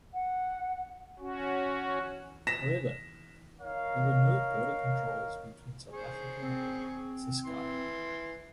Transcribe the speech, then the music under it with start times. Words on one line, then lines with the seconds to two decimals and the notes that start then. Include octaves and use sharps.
However, there were no border controls between South Africa and Ciskei.
0.14 F#5
1.19 C#4 F#4
2.47 A#6 B6 E7
3.59 D#4 A#4 C#5 F5
5.93 G#4 C5 C#6
6.42 C4
7.45 E3 C6